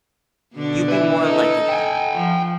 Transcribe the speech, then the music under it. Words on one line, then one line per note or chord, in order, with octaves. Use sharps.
you'll be more like an e
B2 D3 D4
B4 E5
D#4 A4
G5 G#5
F3